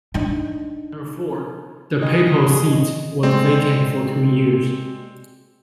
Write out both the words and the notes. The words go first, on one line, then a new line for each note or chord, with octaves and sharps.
Therefore, the Papal seat was vacant for two years.
D4 D#4
G2 G#4 D#5
G#3 C4 D5